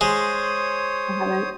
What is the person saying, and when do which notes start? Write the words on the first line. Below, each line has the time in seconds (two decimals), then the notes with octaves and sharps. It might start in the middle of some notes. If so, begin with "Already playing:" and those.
I haven't.
0.01 G#3 C5 C#5 D#6